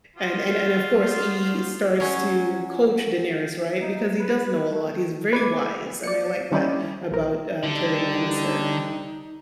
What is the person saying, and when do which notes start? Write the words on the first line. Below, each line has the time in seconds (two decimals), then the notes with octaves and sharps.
and and and, of course, he starts to coach Daenerys, right? Because he does know a lot, he's very wise, and I like that about, uh, Tyrion Lannister.
0.16 F3 F4 F#4
2.00 F#3 C#4
3.81 D#4
4.20 B4
4.71 A3
5.33 B4 D6 G#6
6.03 D5 C#7
6.51 D#3 G3 C#4 D#4 E4 D5
7.11 B1 A#4
7.63 D3 G3 D#4